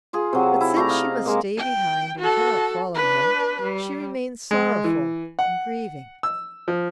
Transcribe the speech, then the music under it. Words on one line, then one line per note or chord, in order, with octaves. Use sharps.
But since she must stay behind and cannot follow him, she remains sorrowful and grieving.
F4 G#4
C3 F#3
E4
A3 D5 A#5
D#5 F5
G#3 A#3
G5
F#4 A4
D4 B4
G3
G#3
E3
F#5
E6
F3